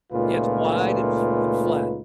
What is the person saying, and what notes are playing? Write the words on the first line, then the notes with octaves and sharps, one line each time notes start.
Yeah, it's wide and fl and flat.
C#2 A#2 A3 D#4 F4 B4